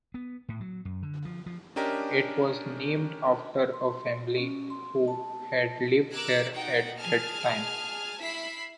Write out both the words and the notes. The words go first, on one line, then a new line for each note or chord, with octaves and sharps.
It was named after a family who had lived there at that time.
B3
A2
F#3
F#2
D3
F3
F3
C#4 D4 G4 A#4 D#5
C6
C#4
C6
A5
A#4 D6 E6 F#6 G#6
D#4 F#4 F#5 G5
G#4 G#5 A5 F6
E4 E5 B5 B6 C7